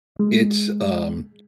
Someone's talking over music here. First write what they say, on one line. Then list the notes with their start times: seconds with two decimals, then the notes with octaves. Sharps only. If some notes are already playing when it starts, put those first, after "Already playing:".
it's, um
0.19 G#3